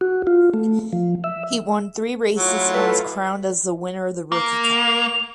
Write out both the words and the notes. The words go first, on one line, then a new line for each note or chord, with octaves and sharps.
He won three races and was crowned as the winner of the rookie cup.
F#4
F4
A3
F3
E5
F#3 A3 E4 F4
A4 B4
A#3
F7